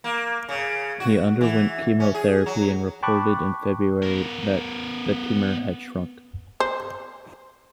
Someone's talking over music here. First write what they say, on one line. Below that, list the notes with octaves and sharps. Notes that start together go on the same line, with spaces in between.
He underwent chemotherapy and reported in February that the tumor had shrunk.
A#3
C#3
F#4
E3
C#4
G#4
F#3
G5 A5 B5 C#6 D6 F#6
B3 A#4
C5